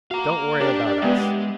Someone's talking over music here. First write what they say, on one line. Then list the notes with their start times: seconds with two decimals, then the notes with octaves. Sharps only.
Don't worry about us.
0.11 F#4 F5 A#5
0.60 D4 G4 A#4 D5
1.02 G#3 B3 E5